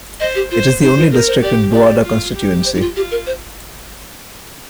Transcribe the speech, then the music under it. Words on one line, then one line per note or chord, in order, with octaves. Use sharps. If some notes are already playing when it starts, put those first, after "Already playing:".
It is the only district in Buada Constituency.
C5 D#5
G4
F4 C5
D#4 C5
F4
G#4 A#4
C5
G4 D5
G4 D5
F4
G4
C5
D#4
F4
F4 G4
A#4
C5